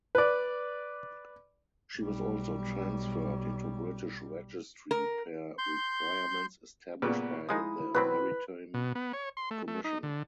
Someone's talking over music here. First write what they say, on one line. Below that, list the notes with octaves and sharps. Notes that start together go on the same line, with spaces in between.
She was also transferred into British registry per requirements established by the Maritime Commission.
B4 D5
B1 G3
A#4
C6 G6
A#2 C#3 G3 B3 B4
F3 G#3 D#4 E4 D#6
B2 F#3 C4 B4
B2
B3
C#5
C6
A3
A3
D#4
D3